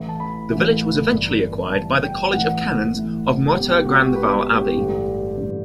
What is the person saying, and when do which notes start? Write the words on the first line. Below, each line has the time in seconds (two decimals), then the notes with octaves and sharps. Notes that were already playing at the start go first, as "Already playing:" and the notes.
The village was eventually acquired by the college of canons of Moutier-Grandval Abbey.
Already playing: A1 A2 E3
0.09 A5
0.20 B5
0.50 A1 A2 E3
1.11 G1 G2 E3
1.72 G1 G2 E3 A5
2.03 G5
2.33 A1 A2 E3 F#5
2.94 A1 A2 E3
3.54 C#2 B2 G4
3.69 G4
3.85 F#4
4.01 G4
4.15 C#2 B4
4.20 B2
4.35 B4
4.57 G4
4.77 A1 G2 D3
5.38 A1 G2 D3